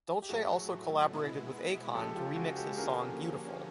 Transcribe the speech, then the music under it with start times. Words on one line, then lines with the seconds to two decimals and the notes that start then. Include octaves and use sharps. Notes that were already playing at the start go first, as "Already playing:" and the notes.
Dulce also collaborated with Akon, to remix his song Beautiful.
0.22 G4
0.29 A2 F#3 A3 F#4 G#4
1.12 B2 G#3 B3 E4
1.94 C#3 F3 G#3 G4 A4
2.15 F4 G4
2.36 F#4 G#4
2.57 G4 A4
2.77 D3 F3 A#3 C#4 G#4 A#4